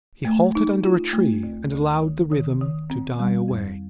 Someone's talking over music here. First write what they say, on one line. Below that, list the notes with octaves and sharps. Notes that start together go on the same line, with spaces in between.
He halted under a tree and allowed the rhythm to die away.
A3
D#4
F4
A3
D2
D2
D#3
D#3
D#3
C4
G3
F2